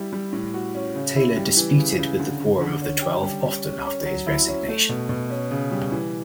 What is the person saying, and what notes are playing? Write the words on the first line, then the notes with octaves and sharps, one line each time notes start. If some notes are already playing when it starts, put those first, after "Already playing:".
Taylor disputed with the Quorum of the Twelve often after his resignation.
Already playing: G3 E4
G3
A2
F#4
C#4
C#3
E4
G3
E3
C#3
C#3
D3
D3
D3
C#4
G4
G3
C#4
C#4
C#4
F#3
E4
C#4
A3
B2
B2
C#4
C#3
G3
E3